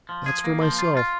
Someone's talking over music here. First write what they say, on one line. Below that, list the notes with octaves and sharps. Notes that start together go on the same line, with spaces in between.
That's for myself.
F3
G#4
A#3
F3
F4
F4